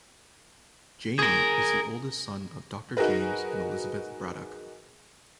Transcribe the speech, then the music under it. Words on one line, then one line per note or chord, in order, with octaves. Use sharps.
Jamie is the oldest son of Doctor James and Elizabeth Braddock.
G#4 A#4
D#4 F#4 G#4 A#4 B4